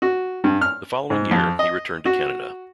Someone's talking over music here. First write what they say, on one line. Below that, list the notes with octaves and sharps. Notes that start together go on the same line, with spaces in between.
The following year he returned to Canada.
F#4
G2
F6
G#2
F2
D#5
F#4